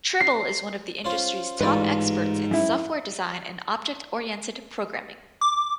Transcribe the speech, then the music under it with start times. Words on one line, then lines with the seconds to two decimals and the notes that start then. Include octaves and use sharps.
Tribble is one of the industry's top experts in software design and object-oriented programming.
0.20 C7
1.05 C#4 F4 C5
1.61 A1 G#2 F4 B4 D5
2.51 F#2 E4
5.41 D6